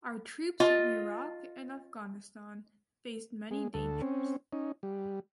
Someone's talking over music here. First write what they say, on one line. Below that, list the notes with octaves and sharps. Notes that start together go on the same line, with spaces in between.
Our troops in Iraq and Afghanistan faced many dangers.
F4 D#5
G#3
D2 A4
C4 C#4
C#4 D#4
G3